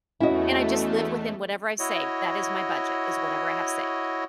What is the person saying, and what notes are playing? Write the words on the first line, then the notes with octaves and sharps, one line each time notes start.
and I just live within whatever I save, that is my budget, is whatever I have saved.
E2 A3 C#4 E4 F#4 D#5
E4 F#4 C#5 D#5